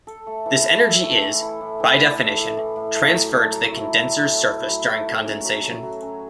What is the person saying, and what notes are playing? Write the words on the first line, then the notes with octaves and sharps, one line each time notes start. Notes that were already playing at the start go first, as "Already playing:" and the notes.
This energy is, by definition, transferred to the condenser's surface during condensation.
A4
A3
E3
E4
A4
A3
E3
E4
A2
E3
A2
A3
A2
E3
A2
A3
F#3
A3
F#3
E4
F#3
A3
F#3
E4
F#3
A3
F#3
C#4
F#3
A3
F#3
C#4